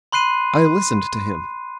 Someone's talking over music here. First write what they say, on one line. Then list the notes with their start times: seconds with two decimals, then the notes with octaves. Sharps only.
I listened to him.
0.12 B5 C6 F#6 C7 D#7